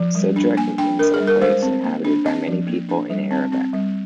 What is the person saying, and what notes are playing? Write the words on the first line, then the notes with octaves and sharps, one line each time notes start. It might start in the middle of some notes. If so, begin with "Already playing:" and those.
Sedrak means a place inhabited by many people in Arabic.
Already playing: F3
G3
D4
A#3 G#5
D4 G5
D4 A#4
G#4
G3
A#4
G#3 C5
C4
A#3
D4
C4 D#5
F3
A#3
D4
G3
C4
C4
G3